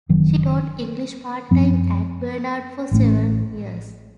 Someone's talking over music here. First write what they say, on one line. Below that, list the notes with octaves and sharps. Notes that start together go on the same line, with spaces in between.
She taught English part-time at Barnard for several years.
F#1 F#2 D#3 F#3
F#2 F3 C4
A1 A2 A3 C#4